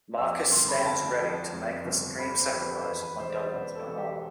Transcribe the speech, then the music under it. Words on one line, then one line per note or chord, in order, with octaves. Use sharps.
Marcus stands ready to make the supreme sacrifice on Delenn's behalf.
F2 E6
D6
G1 C6
B5
G5
D3 A5
F3
F2
G1
D3 B5
C5
F3 G4
B4
A4
C5
E2 B4
B4
B4
E1 C5
D5
C5
B2 B4
A4
E1
G4